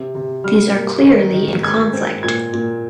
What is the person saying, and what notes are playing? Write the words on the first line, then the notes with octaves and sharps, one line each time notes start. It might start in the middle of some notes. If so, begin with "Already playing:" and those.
These are clearly in conflict.
Already playing: C3
C3
G3 F6
A#3
D#3
D#3
G#3 G#6
C4
A#2 G#6
A#2